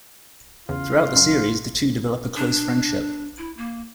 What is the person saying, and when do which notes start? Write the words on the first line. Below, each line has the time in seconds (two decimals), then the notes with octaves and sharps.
Throughout the series the two develop a close friendship.
0.69 E2 C#3 F4
1.16 F#2
2.37 D4
3.38 E4
3.57 A#3